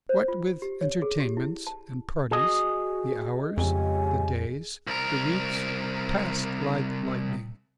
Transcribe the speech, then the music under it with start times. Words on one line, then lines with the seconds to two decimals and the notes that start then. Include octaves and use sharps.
What with entertainments and parties, the hours, the days, the weeks passed like lightning.
0.09 C5
0.28 F4
0.62 G4
0.81 C#5
1.02 G#4
1.20 G4
1.37 E4
1.67 A5
2.31 F#4 G#4 D#5
3.57 F2 C#3 G#3 G4 G#5
4.87 C2 A#4